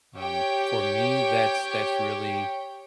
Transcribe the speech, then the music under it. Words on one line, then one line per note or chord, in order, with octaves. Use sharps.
um, for me, that's that's really
G4 C#5 G5